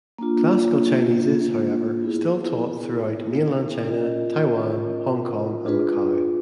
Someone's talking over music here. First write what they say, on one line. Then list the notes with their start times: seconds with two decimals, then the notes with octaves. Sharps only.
Classical Chinese is, however, still taught throughout mainland China, Taiwan, Hong Kong and Macau.
0.18 A#3 D4 F4
2.01 B3 E4 G#4
3.83 C#4 F4 A#4 D#5
5.65 D4 F4 G#4 B4